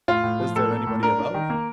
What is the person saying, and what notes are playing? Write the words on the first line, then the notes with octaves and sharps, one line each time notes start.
"Is there anybody above?"
A2 F4
A2
F3
A2 A4
A#3
A2
D4 A#4
D4
D#3
A#3